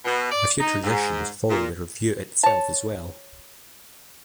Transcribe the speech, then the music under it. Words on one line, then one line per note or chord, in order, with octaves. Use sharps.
A few traditions follow the revue itself as well.
B2
D5
D#4
G#2
A#2
C#5 A5